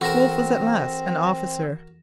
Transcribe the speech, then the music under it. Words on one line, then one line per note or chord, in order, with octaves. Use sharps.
Wolfe was at last an officer.
E3 C4 F#4 A#4 A#6 E7